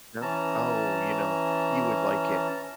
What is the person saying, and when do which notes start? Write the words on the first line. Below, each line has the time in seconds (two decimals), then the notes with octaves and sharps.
No? Oh, you know, you would like it.
0.22 E3 C#4 A5 A#5